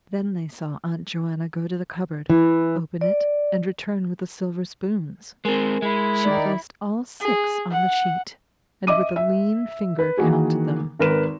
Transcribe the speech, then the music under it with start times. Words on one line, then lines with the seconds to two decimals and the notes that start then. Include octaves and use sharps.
Then they saw Aunt Joanna go to the cupboard, open it, and return with the silver spoons; she placed all six on the sheet, and with a lean finger counted them.
2.30 E3
3.01 D5
5.45 G#3 C4 A#4 G#5
5.82 G#3 E4
6.26 D#3 D#4 D5
7.21 G#4
7.71 F#5
8.87 D#5 E5 D6 D#7
9.16 E5
9.99 B4
10.17 D#3 E3 A#3 F#4 G#4
10.99 G#1 A#4 B4 E7